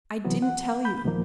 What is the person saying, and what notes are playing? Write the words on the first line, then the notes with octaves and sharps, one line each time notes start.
I didn't tell you.
C3 E3 F#3 B3
F#5
B5 G6
D#2 A#2 D#3 F3 A#3